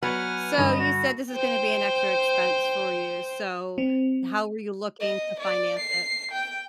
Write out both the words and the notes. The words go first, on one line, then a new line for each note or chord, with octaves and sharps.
So you said this is gonna be an extra expense for you, so how were you looking to finance it?
F#3 B3 B4 F#5 G#5 F6
G2 D3 D#5 F7
F#4
C5 G5
C4
D#5
D5
C7
G5